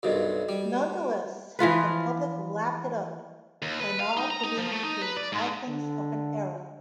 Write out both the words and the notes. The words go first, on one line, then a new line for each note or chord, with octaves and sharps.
Nonetheless, the public lapped it up and all three became icons of an era.
B1 G2 C3 F#4 A#4 D#5
G3
E3 F3 F4 B4
D#2
B4
F5
D#4
A#5
D#4
F3
A3
D#4
B4
D5
G#2
D3